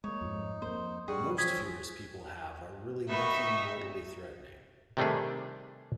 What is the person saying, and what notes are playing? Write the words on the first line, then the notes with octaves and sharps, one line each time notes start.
Most fears people have are really nothing mortally threatening.
G#3 A#3 D#4 C#5
F2 G#2
F2 A#3 C5
G2 G3 F#4 G#4 F#5
E3 F3 C4 C#4 G#5 D#6 G#6 B6
D#3 B3 D#4 E5 B5 C#6
C3 D#3 G3 A3 D4 G#4